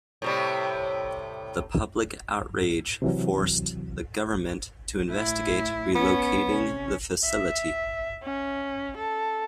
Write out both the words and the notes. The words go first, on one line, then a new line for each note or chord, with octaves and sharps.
The public outrage forced the government to investigate relocating the facility.
A2 C3 G3
C3 E3 F#3
A2 E4
B3 C#4
C3 C#4
E5
C#4
A4